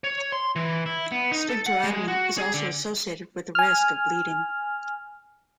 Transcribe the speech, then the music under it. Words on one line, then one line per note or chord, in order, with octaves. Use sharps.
Sphincterotomy is also associated with a risk of bleeding.
C#5
C6
E3
E4
B3
D#4
A4
F#5
G#3
F#4
G#4
D3
G#5 F6